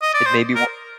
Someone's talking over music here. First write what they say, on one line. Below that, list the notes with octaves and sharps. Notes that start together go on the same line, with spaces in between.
it made me wa
D#5
D5
C5
A#4